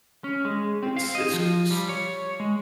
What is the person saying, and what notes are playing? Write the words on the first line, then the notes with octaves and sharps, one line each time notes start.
it's it's g it's
C#4
G#3
C4
F5
D#5
F3
G3
C#5
G#3